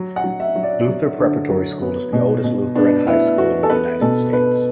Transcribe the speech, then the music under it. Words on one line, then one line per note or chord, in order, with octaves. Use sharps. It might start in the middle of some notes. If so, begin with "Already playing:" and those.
Luther Preparatory School is the oldest Lutheran high school in the United States.
Already playing: F#3
F#5
F#3
E5
F#3
D5
F#3
D3
F#3
B3
B2
B2
B3 D4
B3 E4
B3 F#4
A4
B3 B4
B2 A4
B3 B4